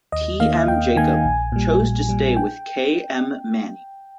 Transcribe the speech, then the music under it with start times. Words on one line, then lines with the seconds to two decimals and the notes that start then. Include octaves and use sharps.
T. M Jacob choose to stay with K. M Mani.
0.12 D#2 D#5
0.40 D#3 A#3 F5
0.68 D#2 G5
0.96 D#3 A#3 G#5
1.25 A#1
1.52 A#2 G3
1.81 A#1
2.09 A#2 G3
2.37 G5